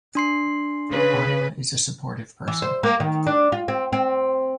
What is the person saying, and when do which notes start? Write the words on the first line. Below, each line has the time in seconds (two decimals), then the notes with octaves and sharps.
Anja is a sportive person.
0.15 D4 C6 C7
0.89 C#3 B4
2.48 E3
2.62 C5
2.83 A#3
3.00 D#3
3.26 D4
3.52 F4
3.68 C4
3.93 C4